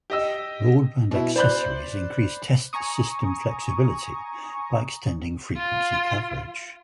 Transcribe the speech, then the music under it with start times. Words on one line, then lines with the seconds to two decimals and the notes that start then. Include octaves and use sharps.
Broadband accessories increase test system flexibility by extending frequency coverage.
0.10 G4 D#5 E6
1.11 B2 E4
1.36 C5 D5 B5 F#6 G6
2.73 G#5 A#5 C#6 D#6
5.57 F4